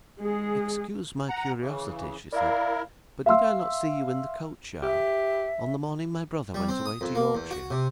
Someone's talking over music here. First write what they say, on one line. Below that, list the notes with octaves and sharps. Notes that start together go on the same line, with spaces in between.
'Excuse my curiosity,' she said, 'but did I not see you in the coachyard, on the morning my brother went away to Yorkshire?'
G#3 G#4
F#5 A#5
C#3 E3
E4 A#4 D5 F5
E5 F5 C6 E6
G4 E5
G3
C4
D#6
F2
A#3
E2
F#4
C3